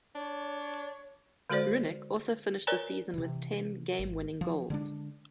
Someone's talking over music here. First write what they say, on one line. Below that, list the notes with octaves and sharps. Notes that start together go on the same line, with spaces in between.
Roenick also finished the season with ten game-winning goals.
D4 C#5
D3 G#3 F#4 A4 C5 D5
A#4 B4 C#5 D5 G#5 A#5
C3 E3
G#1
F3
D3 G#3 D4